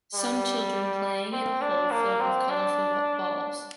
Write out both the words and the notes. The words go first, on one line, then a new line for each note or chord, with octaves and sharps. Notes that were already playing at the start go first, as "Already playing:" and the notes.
Some children playing in a hole filled with colorful balls.
G3
C4
D4
A#3
C4
D4